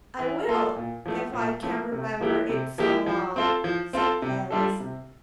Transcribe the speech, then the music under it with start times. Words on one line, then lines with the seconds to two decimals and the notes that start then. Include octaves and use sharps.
'I will, if I can remember it so long,' said Alice.
0.19 E3
0.48 A#3 F4 A4
0.76 A#2
1.06 F3 A3
1.33 A#2
1.63 F3 A3
1.92 C3
2.21 F3 A#3 E4 G4
2.49 C3
2.78 F3 A#3 E4 G4
3.06 F3
3.36 C4 F4 A4
3.64 F3
3.93 C4 F4 A4
4.22 C3
4.51 G3 D4 F4 A4
4.80 C3